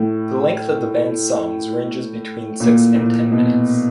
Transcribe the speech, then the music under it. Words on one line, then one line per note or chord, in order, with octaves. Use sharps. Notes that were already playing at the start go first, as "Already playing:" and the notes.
The length of the bands songs ranges between six and ten minutes.
Already playing: A2
A#2
A#2
B2